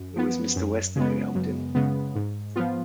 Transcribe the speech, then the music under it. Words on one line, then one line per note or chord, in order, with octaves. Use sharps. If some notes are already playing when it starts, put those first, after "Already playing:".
It was Mr. Weston who helped him.
Already playing: F#2
F3 B3
F#2
C#3 G#3 B3
F#2
C#3 G#3 B3
G#2
F3 B3 F4